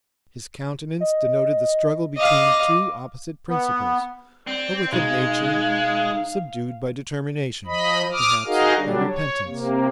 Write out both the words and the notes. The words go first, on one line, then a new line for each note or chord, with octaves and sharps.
His countenance denoted the struggle between two opposite principles--a wicked nature, subdued by determination, perhaps by repentance.
D#5
D#5 F5 D6
B3
C4 D5
B2 G#3 D#4 F5
F3 D#5 B5
D6 D#6 F6
D#4 F#4 G#4 A#4 D#5 F5
D3 F#3 G3 D4
C#5
C3 A#3